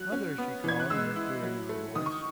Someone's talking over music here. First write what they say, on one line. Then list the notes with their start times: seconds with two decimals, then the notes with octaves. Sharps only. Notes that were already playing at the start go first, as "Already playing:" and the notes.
"Mother!" she called in her clear young voice.
Already playing: F#3 F#6
0.12 C#4
0.38 B3
0.64 E3 G#6
0.80 F#6
0.90 G#3 E6
1.16 E4
1.43 F#3
1.69 A3
1.95 D#3 D#6
2.06 C#6